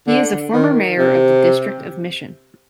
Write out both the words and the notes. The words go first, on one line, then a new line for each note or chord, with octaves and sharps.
He is a former mayor of the District of Mission.
D3
D#3
C3